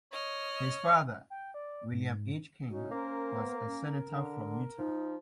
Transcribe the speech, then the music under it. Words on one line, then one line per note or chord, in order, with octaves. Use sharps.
His father, William H. King, was a Senator from Utah.
C#5 D#5 F6
G5
D5
G#2
A2 C#4 D#4 F#4
A#3 C#4 A#4 C5
B3
C#4 A#4
D3
F3 D#4